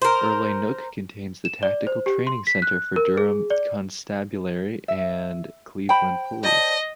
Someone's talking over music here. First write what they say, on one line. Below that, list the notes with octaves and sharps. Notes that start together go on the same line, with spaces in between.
Urlay Nook contains the Tactical Training Centre for Durham Constabulary and Cleveland Police.
A#4 C5
E7
D5
C5
G4
C6
B6
F#6
A#4
G#4
D5
E5
C5 G5 B5
C5 D5 D#5 A5